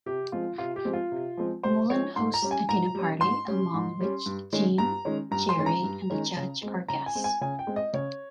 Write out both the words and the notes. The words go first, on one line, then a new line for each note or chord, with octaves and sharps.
Vollin hosts a dinner party, among which Jean, Jerry, and the Judge are guests.
C3 G4
F3 G#3 C4 F4
C3 F4
G4
F3 G#3 C4
F4
C3
F3 G#3 C4
C3 C5
F3 G#3 C4 C#5
G#2 C6
A#5
G3 C#4
G#5
G#2 A#5
G3 C#4
G#2 C6
G3 C#4
G#2
G3 C#4
G2
D#3 G#3 C#4
G2 A#5
D#3 G#3 C#4
G2 A#5
C6
D#3 G#3 C#4
A#5
G2
D#3 G#3 C#4
C#3
G#3 C4
C#3 A#5
G#5
G#3 C4
G#5
C#3 G#5
G5
G#3 C4
D#5
C#3 C#5